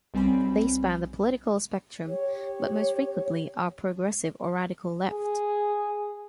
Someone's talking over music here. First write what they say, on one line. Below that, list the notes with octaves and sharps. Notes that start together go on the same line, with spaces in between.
They span the political spectrum, but most frequently are progressive or radical left.
B1 G3 C4 G#5 B5
G4 C#5
G#4